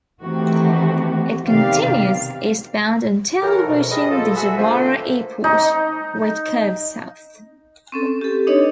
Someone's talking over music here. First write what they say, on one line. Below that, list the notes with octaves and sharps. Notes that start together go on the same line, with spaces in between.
It continues eastbound until reaching the Jabara Airport, where it curves south.
D#3 E3 A3 C4 F#4 G4
C3 D#3 B3 G4 D5 F5
E3 F#3 A4 A#4
E2 G#2 B2
G3 G#3 B4 D#5
F3 A4
F#4 G#4 B4 E5
D3 A3 A#3 F4 C5
D#4
C4 C#4 A4
G4 A4
D4 D#4 B4 C#5 D#5